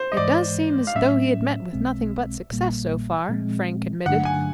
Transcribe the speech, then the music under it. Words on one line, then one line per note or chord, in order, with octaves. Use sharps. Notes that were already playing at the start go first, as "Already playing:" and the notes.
"It does seem as though he had met with nothing but success, so far," Frank admitted.
Already playing: C5
D#5
G#2 E3 G#3 D5
F5
A2 F#3 A3 C#4 E5
B1 B2 G#3 C4
A#1 A#2 G3 A#3
A#2 F3 G#3 C4
G2 D3 F#3 A3 D4 F#5
G#5